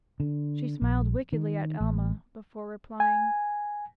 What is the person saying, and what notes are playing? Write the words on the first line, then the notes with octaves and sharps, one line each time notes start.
She smiled wickedly at Alma before replying.
D3
A#1
D#3
A1
G#5